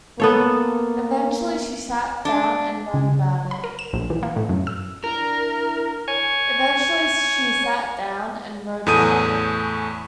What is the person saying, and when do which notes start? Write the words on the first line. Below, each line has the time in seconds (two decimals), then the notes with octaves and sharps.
Eventually, she sat down and wrote about it.
0.20 A#3 B3 A4 C#5
2.25 D4
2.94 C#3
3.51 B5
3.64 A#4
3.79 E7
3.93 A#1
4.10 E3
4.23 A#3
4.36 A2
4.49 F#2
4.67 E6
5.04 D4 E4 A#4
6.08 C#5 G#5
8.86 E2 A2 A3 G#5 D#6 D#7